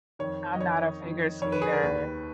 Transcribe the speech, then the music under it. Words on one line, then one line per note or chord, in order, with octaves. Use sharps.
I'm not a figure skater.
F2 D#3 C#5
D#5
F2 D#3 C#5
F2 D#3
F2 D#3 C#5
B4
G#4
A#4
D#2 D#3 B4